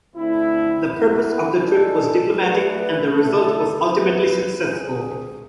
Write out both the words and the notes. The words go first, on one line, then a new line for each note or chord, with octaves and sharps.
The purpose of the trip was diplomatic and the result was ultimately successful.
D3 A3 C4 E4
E3 B3 E4 B4
G#3 D4 A4
A3 D4 G#4 B4
D3 A3 E4 A4
G#3 B3 E4 B4
D3 G#3 C4 G#4